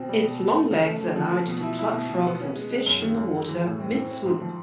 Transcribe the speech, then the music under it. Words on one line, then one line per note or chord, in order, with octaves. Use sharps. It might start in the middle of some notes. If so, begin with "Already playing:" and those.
Its long legs allow it to pluck frogs and fish from the water mid-swoop.
Already playing: B2 C4
G3
B2
B2
A3
C#3
A3
A3
F3
F3
B2
E4
E4
B2
B2
B3
C#4
G#3
G#3
F#2
D#3
F#2
G#3
E3
A2
C4
C4
C4
G#2
F3